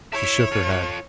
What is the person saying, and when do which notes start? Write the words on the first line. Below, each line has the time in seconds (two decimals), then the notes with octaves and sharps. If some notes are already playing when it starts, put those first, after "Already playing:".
She shook her head.
0.13 E4 C#5 E5
0.52 F4 A4